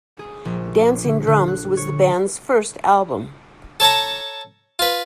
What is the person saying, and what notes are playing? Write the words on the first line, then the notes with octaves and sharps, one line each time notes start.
Dancing Drums was the band's first album.
G#4
A#1
D4
D3
D3
F#6
C#5
A4 C#5 A5 A#5
F4 B4